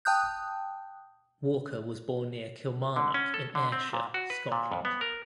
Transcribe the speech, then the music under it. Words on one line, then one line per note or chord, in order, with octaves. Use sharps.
Walker was born near Kilmarnock in Ayrshire, Scotland.
G5 A5 D#6 F#6 G6
D3
C#4
A4
D3
C4
A#2
F#4
B4
A#2
F2
B3
A#4